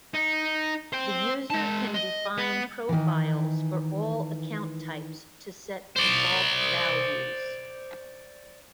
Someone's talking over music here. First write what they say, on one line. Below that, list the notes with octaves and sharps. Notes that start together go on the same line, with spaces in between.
The user can define profiles for all account types to set default values.
D#4
C5 G5
G#3 A5
D#5
B3
D#3 E3
C5 D5